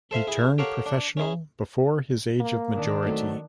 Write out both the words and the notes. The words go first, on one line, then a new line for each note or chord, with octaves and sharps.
He turned professional before his age of majority.
A4 C5 E5 F5
E4 G#4
G4 A4 A#4 C#5 F5 F#5
D4
C#4 E4 G#4
A#3
D#3 D4
F#3 A3 C4 D#4